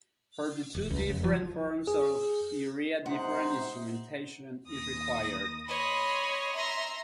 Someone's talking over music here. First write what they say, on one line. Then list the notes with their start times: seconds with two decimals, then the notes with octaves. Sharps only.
For the two different forms of urea, different instrumentation is required.
0.75 E1
0.90 C#2
1.09 F1
1.24 F3
1.87 G#4
3.06 G#2 C3 D#4 C5 F#5
4.68 D#2 D#6 A#6
5.68 C#5 D#5 B5 C6
6.55 E5 A#5 C6